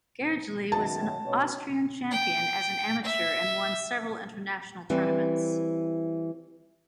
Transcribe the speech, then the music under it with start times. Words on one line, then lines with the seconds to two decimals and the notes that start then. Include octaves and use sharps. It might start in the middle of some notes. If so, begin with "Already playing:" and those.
Gergely was Austrian champion as an amateur and won several international tournaments.
0.72 F#2 B2 D#3 A5
1.26 B2 C#4 C#5
2.11 G5
3.04 E5
4.90 E3 G3 C4